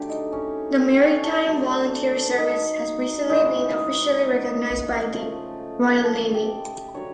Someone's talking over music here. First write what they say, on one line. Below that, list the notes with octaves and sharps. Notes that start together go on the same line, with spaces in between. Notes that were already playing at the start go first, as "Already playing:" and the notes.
The Maritime Volunteer Service has recently been officially recognised by the Royal Navy.
Already playing: D3 F#3 A3 G4
D#4
C#4
C4
C#4
D4
D3 F#3 A3 D4
D#4
C#3 E3 G#3 D#4
C#3 F3 A3
A4
G4
D3 F#3 C#5